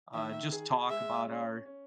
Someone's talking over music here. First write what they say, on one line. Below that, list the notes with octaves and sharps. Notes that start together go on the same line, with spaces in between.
uh, just talk about our
D#3 E5
G#4
G#3 E5
C#4
C#4